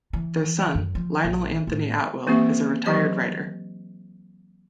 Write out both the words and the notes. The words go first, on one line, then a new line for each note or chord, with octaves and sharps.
Their son, Lionel Anthony Atwill, is a retired writer.
E3
F#2
F3
A#1
A2
E3 A#3 C4 G4 E5
E3 F#3 G4 D#5